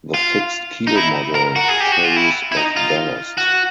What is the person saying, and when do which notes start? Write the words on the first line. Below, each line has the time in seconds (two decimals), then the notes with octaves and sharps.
The fixed keel model carries of ballast.
0.14 F4
0.87 D#4
0.95 E4
1.35 A#4
1.56 F#4
1.68 G#4
1.80 G4
1.92 F#4
2.04 F4
2.16 E4
2.52 E4
2.57 D#4
2.76 F4
3.38 F#4